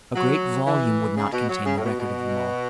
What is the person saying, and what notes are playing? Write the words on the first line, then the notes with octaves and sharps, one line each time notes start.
A great volume would not contain the record of them all.
F#3
E3
C#3
B2
F#3
C#3
A2
B2
B2